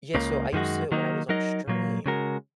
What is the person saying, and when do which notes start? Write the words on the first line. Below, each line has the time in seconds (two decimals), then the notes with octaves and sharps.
Yeah, so I used to when I was on stream,
0.15 C#2 C#3 A#3
0.53 F#2 D#3 G#3 F#4
0.92 D#3 F#3 A#3 D#4
1.29 F#3 D#4 A#4 D#5
1.68 A#2 F#3 A#3
2.06 C#3 G#3 F#4 A#4